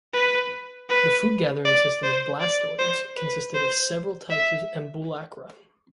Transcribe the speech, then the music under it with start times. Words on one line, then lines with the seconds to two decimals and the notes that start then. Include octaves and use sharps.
The food gathering system of blastoids consisted of several types of ambulacra.
0.13 B4
0.89 B4
1.65 D5
2.03 C5
2.40 D5
2.79 C5
3.16 B4
3.54 C5
4.30 E5